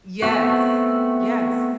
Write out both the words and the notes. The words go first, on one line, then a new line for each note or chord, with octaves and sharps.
Yes. Yes.
A3 B3 C4 F#4